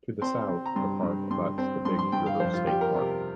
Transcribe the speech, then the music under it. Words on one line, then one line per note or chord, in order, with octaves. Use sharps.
To the south, the park abuts the Big River State Park.
C4 C6
C4
A#5
G2 C6
G2
G2 C6
C4
G2 C6
C6
G2 G5
F5
F2 C5
F4
G3 G4
A#4
C3